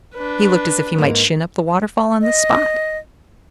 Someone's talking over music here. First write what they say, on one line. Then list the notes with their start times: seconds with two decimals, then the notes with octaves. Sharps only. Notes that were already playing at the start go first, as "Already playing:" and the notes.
He looked as if he might shin up the waterfall on the spot.
0.15 D4 B4
0.98 G#2 A#3
2.21 D#5